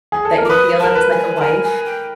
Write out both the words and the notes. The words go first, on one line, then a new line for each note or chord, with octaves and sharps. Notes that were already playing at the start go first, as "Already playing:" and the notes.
that you feel as like a wife,
G#4
A4
A#4
D6
B4 D#6
A#4 A5
B4
G#5
A5
A#4 G#5
G#5
G5